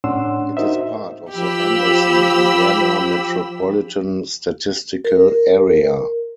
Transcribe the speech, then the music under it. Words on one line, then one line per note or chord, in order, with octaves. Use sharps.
It is part of the Anderson, Indiana Metropolitan Statistical Area.
A2 C#4 D4 F#5 C6 E6
D#4 F#4 A#4 C5 D#5 E5
F3 G4 B5 E6
A#4